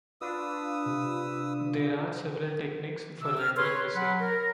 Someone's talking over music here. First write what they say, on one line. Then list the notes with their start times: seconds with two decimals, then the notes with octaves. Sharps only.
There are several techniques for rendering the scene.
0.21 D4 F4 B4 D#6 E6
0.86 C3
3.22 C3 E6
3.38 F6
3.57 B4 C#5 C6
3.95 F#3 F#5 B5
4.21 A#4